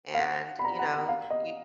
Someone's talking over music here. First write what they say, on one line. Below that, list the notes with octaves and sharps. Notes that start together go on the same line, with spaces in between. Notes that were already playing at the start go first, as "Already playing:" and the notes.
and, you know, y
F5
F#5
B5
A#5
F#5
F#5
F5
D#5